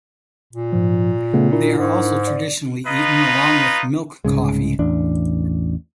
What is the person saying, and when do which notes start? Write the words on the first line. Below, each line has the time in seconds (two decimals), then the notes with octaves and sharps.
They are also traditionally eaten along with milk coffee.
0.53 A#2
0.73 G#2 F3
1.34 C#3 A3 B3
1.51 D4 E4 A#4
1.78 G#2
2.27 D5
2.87 D#4 F4 B4 D#5
4.25 C2 G#2 C#3 G#3
4.79 A1 E2 D4